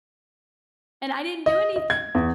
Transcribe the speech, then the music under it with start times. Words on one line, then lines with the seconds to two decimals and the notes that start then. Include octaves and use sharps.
And I didn't do anything.
1.46 D#5
1.76 D#5
1.90 G#6
2.15 E2